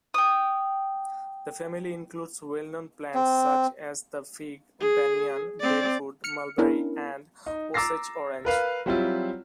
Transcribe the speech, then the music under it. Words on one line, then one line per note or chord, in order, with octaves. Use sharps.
The family includes well-known plants such as the fig, banyan, breadfruit, mulberry, and Osage-orange.
G5 D#6
C4
G#4
C4 D5
F6 C#7
B3 C#4 D4 E4 A#4
D#4
A#5 D6 E6 A6 A#6 C7
A#4 B4 F5
F#3 G3 C4 E4 F4